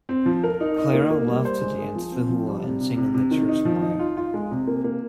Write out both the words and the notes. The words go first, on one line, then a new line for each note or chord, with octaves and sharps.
Clara loved to dance the hula and sing in the church choir.
C4
F3
A#4
D#4
D#5
A#3
A#3
G3
C5
G#3
G#4
F3
C4
F3
G3
C3
C3
C3
C3
D#3
D#4
F3
D#4
F4
F4
G#3
C3
A#3
A#3